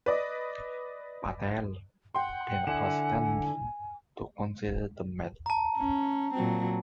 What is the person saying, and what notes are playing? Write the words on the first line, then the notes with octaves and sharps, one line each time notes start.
Patel then asked Gandhi to consider the matter.
B4 D5 D#5
F#5 G5 C6
D3 E4 G#5 E7
A5 A#5
C#4
A#2 F#3 C4